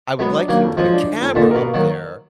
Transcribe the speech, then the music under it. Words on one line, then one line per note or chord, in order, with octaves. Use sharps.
I would like you to put a camera up there,
F#3 G#3 B3
D4
D#3 F#3 A#3
F2
F3 F#3 G#3
D4
D#3
F2
A#2 D3 D#4
B2 A#4
A#3
D#3 F#3